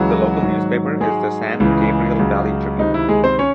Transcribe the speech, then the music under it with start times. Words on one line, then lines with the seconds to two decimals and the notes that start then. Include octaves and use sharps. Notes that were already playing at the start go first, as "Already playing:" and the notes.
The local newspaper is the "San Gabriel Valley Tribune".
Already playing: C#2 C#3 E3 F#3 F#4
0.41 G#2 D#3 F#3
1.01 G#2 F#3 G#3 G#4
1.60 C#2 C#3 E3
2.19 C#2 C#3 F#3
2.78 C#2 C3 D#3 D#4
2.94 E4
3.08 G#3 G#4
3.24 C4 C5
3.39 C#4 C#5